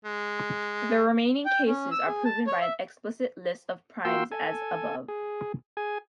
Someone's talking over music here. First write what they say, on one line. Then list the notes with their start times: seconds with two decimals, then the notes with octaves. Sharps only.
The remaining cases are proven by an explicit list of primes, as above.
0.05 G#3
1.46 G5
1.67 C#4
1.91 E6
2.06 G#4
2.25 A5
2.47 C#5
2.61 E5
4.05 A#3 F4 F#4 G5 C6 E6
4.32 A4 G#5
5.08 G#4
5.77 G#4 G#5